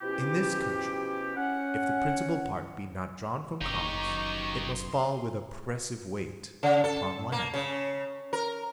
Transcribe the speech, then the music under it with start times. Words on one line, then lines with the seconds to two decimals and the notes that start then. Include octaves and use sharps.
In this country, if the principal part be not drawn from commerce, it must fall with oppressive weight upon land.
0.01 B2 F3 C#4 E4 G4
1.36 C#4 F#5
3.61 F#1 D#4 G4 A#5 C#6 D6
4.69 C6
6.63 C#3
6.84 A4
7.32 A#3
7.54 C#3
8.33 A#4